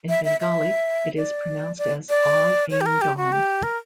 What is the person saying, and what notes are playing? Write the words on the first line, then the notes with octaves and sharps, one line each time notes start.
In Bengali, it is pronounced as "Awe-Reen-Daum".
E5
E5
E5
D5
D5
D5
C#5
G4
A#4
G4
F#4
G4
A#4